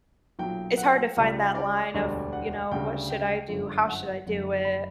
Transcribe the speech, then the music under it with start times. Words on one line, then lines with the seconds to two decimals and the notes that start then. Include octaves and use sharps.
it's hard to find that line of, you know, "What should I do? How should I do it?"
0.39 B1 A#2 F#3 G5
0.77 F#5
1.17 C#2 C#3 G3
1.55 D5
1.94 E1 D2 D3 G3
2.33 F#5
2.71 D2 C#3 G3 G5
3.10 G5
3.48 G1 F#2 D3
3.88 F#5
4.26 F#1 F#2 D3
4.65 B5